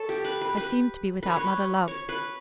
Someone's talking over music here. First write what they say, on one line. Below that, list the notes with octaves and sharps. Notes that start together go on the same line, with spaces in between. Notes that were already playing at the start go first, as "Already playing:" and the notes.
I seemed to be without mother-love.
Already playing: A4 C#5
G4
B4
B4
B4
B4
C#5
B4
C#5
B4